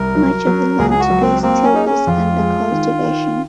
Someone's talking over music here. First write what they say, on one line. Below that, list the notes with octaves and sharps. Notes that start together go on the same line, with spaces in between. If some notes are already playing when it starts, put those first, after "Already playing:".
Much of the land today still is under cultivation.
Already playing: C2 A#4
F#3
F#3
C#2 G#4
G#4
F#4
F#3
C4
A#3 C4
C#4
D#4 G#4
C#4
F2 F4
G#3
D#3
D#3